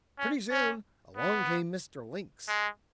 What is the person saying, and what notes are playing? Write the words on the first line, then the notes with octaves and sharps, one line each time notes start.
Pretty soon along came Mr. Lynx.
C#4
C#4
B3
G#3